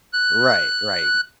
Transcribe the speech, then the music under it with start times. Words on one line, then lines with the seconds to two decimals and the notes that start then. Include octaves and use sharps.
Right, right.
0.13 F#6